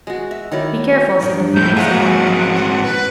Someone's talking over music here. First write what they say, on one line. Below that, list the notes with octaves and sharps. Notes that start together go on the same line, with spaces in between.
Be careful,' said the Phoenix, in warning tones.
G#3 F#4
E5
D#3 F#3 E4 D5
G2 D#3
G#2 A3 G6
C#3 G#3 A#3 G#4 E5 F#5
G#2 F#4 F#5
B4